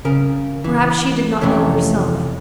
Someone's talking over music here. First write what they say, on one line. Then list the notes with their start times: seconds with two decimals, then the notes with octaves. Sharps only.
Perhaps she did not know herself.
0.05 C#3 A#4
0.64 E3
1.41 F2 C3 E3 A3 C#4